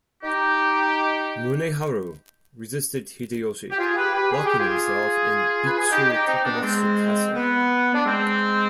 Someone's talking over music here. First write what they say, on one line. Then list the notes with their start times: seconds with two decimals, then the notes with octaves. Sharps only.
Muneharu resisted Hideyoshi, locking himself in Bitchu Takamatsu Castle.
0.23 D#4 G4
3.70 G4
3.79 F4 G#4
3.96 G4 B4
4.14 G4 B4
4.31 G#4
4.45 G4
4.58 F4 G#4
5.65 B4
5.78 G#4
5.91 D#4 G4
6.09 D#4 G4
6.27 C4 D#4
6.44 B3 D4
6.62 G#3 C4
7.34 B3
7.93 D4
8.04 G#3 C4